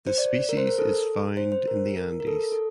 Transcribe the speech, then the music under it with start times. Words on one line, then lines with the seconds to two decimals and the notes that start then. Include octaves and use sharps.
The species is found in the Andes.
0.07 C5
0.18 D5
0.49 A#4
0.57 C5
0.68 A#4
0.78 A4
1.37 C5
1.52 C5
1.68 A#4
1.97 A#4
2.20 A#4
2.27 A4
2.52 A4